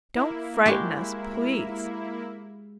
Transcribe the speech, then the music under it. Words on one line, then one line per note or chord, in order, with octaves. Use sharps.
Don't frighten us, please.
A#3 E4
G#3 F#4 G4